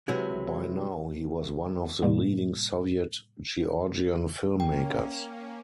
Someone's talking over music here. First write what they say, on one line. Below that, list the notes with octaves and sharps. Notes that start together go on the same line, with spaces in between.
By now he was one of the leading Soviet Georgian film-makers.
C3 E3 F#3 G#3 E4
A2 C3 G3 A#3
A#3 C#4 G5